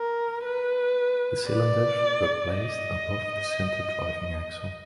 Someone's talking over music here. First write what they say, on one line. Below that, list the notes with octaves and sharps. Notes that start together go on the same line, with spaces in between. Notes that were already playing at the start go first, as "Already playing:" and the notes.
The cylinders were placed above the center driving axle.
Already playing: A#4
B4
D5
D#5